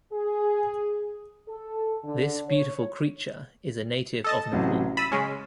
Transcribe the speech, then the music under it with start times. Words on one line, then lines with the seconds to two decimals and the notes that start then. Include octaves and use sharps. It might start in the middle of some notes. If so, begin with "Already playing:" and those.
This beautiful creature is a native of Nepal.
0.13 G#4
1.48 A4
2.04 D3
2.49 C#5
4.24 A4 D#5 A5
4.53 A1 C3 F#3
4.97 B5 E6 A6 D#7
5.12 C#3 G#3 C#4